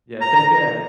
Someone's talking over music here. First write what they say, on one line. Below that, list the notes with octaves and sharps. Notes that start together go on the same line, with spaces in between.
Yeah, take care.
A#5
A#5